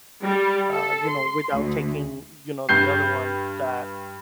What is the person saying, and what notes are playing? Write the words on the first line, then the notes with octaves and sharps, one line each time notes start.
uh, you know, without taking, you know, the other one that,
G3
A4
C6
D2
G2 G6 C7